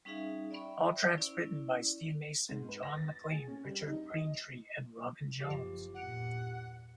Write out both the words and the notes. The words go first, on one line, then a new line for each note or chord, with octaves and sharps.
All tracks written by Steve Mason, John Maclean, Richard Greentree, and Robin Jones.
G3 C#4 D#4 G#4 E5 F5
D5 E5 G5 B5 C#6
C5
C#4 E4 D5
G#2
B4
A#6
A6
G#4
C#4
G3
D#4
D#5
F#1 F3 G4
E2 G2 A#2 F#5